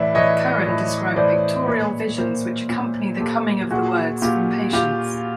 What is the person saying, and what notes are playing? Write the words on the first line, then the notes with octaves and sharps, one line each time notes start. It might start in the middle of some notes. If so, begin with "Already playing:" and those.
Curran described pictorial visions which accompany the coming of the words from Patience.
Already playing: A2 E3 D5 E5
A2 E3 C#5 D#5
A2 E3
A2 E3 C5 D5
A#2 B4 C#5
A#2 A#4 C5
A#2
A#2 G4 A4
A#2 F#4 G#4
A#2 F4 G4
A#2 F4 G4